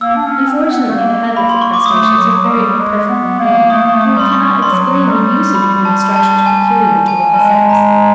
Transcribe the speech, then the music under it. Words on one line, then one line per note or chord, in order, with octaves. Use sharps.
Unfortunately the habits of crustaceans are very imperfectly known, and we cannot explain the uses of many structures peculiar to one sex.
A#3 E6
D4
C#4
C4
B3
A3
A#3
B5
C6
C#6
D6
A3 D#6
F#3
F#3
G3
G#3
B3
A#3
A3 D#6
A#3
A3
D#6
G3 C6
C#6
G3 C6
F#3
F#3
G3
B5
A5
A5
G#5
G#5
G3
G#3 A5
A#5